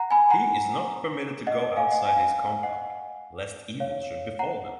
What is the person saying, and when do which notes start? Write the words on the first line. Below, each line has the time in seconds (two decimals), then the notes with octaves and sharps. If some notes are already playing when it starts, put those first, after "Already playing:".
He is not permitted to go outside his compound, lest evil should befall him.
Already playing: F#5 A#5
0.11 G#5 B5
0.31 F#5 A#5
1.47 D#5 F#5
1.62 D#5
1.76 F5 G#5
1.92 D#5 F#5
2.06 F5 G#5
2.63 D#5 F#5
3.80 C#5 F5
4.39 F#5 A#5